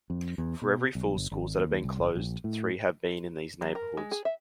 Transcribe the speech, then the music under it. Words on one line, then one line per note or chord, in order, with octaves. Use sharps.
For every four schools that have been closed, three have been in these neighborhoods.
F2
E2
B2
B1
G1
G#1
D#2
C2
G1
A#1
A2
F#3
A#4
G#3
G#4
E5